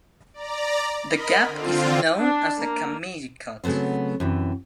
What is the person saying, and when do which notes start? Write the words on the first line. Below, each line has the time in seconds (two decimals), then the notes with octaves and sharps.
The gap is known as the Camille Cut.
0.34 D5 A#5
1.07 A#4 D#5 B5
1.47 D3 C4 F4
2.19 D4
2.58 A#3
3.64 C#3 F#3 A3 B3 C4
4.20 F#2 C3 E3